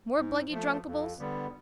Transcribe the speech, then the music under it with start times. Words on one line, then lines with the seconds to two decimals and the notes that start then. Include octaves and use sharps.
More bluggy drunkables?
0.16 G#2
0.50 F3 A3
0.86 F2
1.19 D3 G3 B3